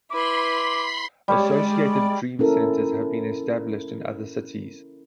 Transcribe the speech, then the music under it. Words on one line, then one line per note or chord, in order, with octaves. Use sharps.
Associated Dream Centers have been established in other cities.
E4 B4 B5 C6 D6
G3 G#3 C#5 D5
C#4 E4 A4 A#4